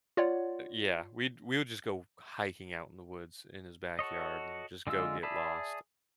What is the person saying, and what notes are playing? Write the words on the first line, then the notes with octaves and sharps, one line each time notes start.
uh, yeah, we'd we would just go hiking out in the woods in his backyard, and just go get lost,
F4 C#5 D5 F#5
F#4 A4 C#5 D#5
D3 G#3 F4 E6
G#4 D5 E5 A5 B5